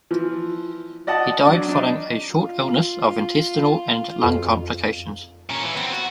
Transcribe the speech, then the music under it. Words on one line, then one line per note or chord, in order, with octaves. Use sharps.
He died following a short illness of intestinal and lung complications.
E3 F3
D5 D#5 F#5 A5 D#6
F#3 D4 D5
D4 D#4
F4
F2
A#2 C#4
E3
B3 C4
F#4